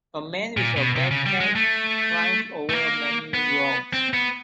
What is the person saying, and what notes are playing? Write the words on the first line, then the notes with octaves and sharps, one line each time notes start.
A man with a backpack climbs over many rocks.
A#2
B2
C3
C#3
G3
G#3
A3
A3
A#3
B3
C4
B3